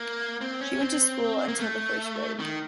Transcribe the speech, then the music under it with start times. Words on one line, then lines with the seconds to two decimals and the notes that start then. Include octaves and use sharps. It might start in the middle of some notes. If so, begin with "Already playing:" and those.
She went to school until the first grade.
Already playing: A#3
0.41 C4
0.61 C#4
0.81 C4
1.48 A#3
1.60 A3
2.40 D#3